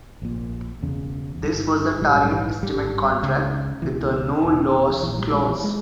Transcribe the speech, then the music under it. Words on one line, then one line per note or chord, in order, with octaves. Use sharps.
This was a target estimate contract with a 'no loss clause'.
A#1 A#2
E1 E2 C#3
G1 G2
A#1 G#2 G3
G3
E3
G#1 G2 G3
C#2 C#3
C#2 B2 E3
E1 E2 B2 D#3
A#1 A#2 E3
G3
G#3
E3
G#3